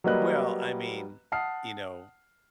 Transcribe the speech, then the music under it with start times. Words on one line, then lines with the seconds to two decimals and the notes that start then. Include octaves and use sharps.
Well, I mean, you know.
0.04 F#3 G3 A#3 B4 D#5 F#6
1.32 F#5 A5 D#6 F6 C7